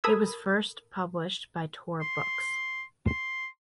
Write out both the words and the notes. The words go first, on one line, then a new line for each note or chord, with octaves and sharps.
It was first published by Tor Books.
A4 A#4 B5 D#6 E6 G#6
C6
C6